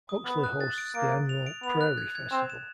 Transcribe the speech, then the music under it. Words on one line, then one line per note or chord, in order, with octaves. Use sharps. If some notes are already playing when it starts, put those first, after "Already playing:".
Huxley hosts the annual Prairie Festival.
D#6
B3 D#6
F#6
A6
D7
A#3 D7
D7
F7
D7
B3 F7
F#6
G#6
G#6
C4 E7
E7